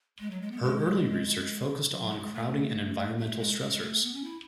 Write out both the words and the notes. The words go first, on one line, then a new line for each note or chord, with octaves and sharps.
Her early research focused on crowding and environmental stressors.
G#3
F#3
G#3
B3
G#3
F#3
F#3
G#3
G#3
A3
A3
G#3
G#3
G#3
A3
B3
C#4
E4